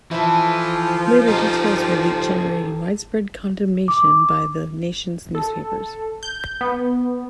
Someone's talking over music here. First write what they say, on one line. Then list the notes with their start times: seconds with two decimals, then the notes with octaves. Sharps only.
Later, details were leaked generating widespread condemnation by the nation's newspapers.
0.11 E3 F3 E4 A4
1.28 G3 C4 D#4 G4 A4
3.88 D6
5.35 A4
6.23 G6
6.61 B3